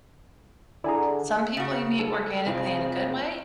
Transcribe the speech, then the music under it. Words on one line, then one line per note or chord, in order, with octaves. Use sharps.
some people you meet organically in a good way,
D3 E4 G#4 D5 G#5 A#5
C#3 F#4
G#3 A4
F1 C4 F4 G#4